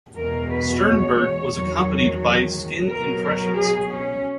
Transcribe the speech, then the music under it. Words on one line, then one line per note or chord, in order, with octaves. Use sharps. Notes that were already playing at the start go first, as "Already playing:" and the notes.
Sternberg was accompanied by skin impressions.
E2 B2 G#3 A#4
B4
C#5
E2 D#3 F#3
B2 F#3 A#4
A#4
G#4
C#4